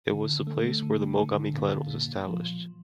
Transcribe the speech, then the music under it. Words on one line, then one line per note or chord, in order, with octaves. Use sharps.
It was the place where the Mogami clan was established.
D3
A3
D3
D3
A#2
A#2
F3